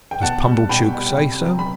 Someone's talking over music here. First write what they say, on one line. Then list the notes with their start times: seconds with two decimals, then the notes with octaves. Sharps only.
"Does Pumblechook say so?"
0.11 G5
0.21 B2 F#5 A5
0.46 G3
0.69 B2 G5 B5
0.93 G3
1.17 C3
1.40 F#3
1.59 B5